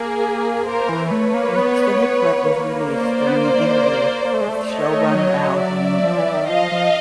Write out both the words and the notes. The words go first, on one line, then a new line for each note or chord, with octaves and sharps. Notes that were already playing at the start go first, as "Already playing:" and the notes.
An extended clip was released during an interview with showrunner Al Jean.
Already playing: A#3 G#4 A#4
A#3 A#4 C5
E3
A3 B4 C#5
A#3
B3
B3
A#3
C5 D5
B3
A#3
A#3
A3
G#3
A3
C#5 D#5
F#3
D5 E5
F3
E3
D#3
F3 D#5 F5
F3